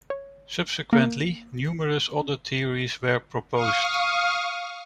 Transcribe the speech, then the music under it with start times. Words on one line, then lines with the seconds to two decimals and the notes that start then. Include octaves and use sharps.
Subsequently, numerous other theories were proposed.
0.10 C#5
0.93 A#3
3.53 F5 C#6 D#6 F6